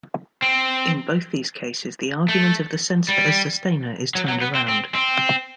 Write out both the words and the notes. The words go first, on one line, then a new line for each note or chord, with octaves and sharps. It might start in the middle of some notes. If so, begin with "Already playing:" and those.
In both these cases the argument of the centre as sustainer is turned around.
C4
A3
G3
F#3
F#3
B3
C4
C4
C4